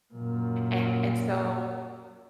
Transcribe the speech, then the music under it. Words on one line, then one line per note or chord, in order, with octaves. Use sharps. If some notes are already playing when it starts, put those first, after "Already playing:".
And and so
F#2 A#2